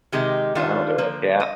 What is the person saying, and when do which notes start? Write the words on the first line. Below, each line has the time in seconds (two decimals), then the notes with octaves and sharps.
That'll do it. Yeah.
0.12 C3 D#3 G#3 D#4 G4
0.55 D#3 G3 D4 F4
0.98 D3 F3 A#3
1.40 D#5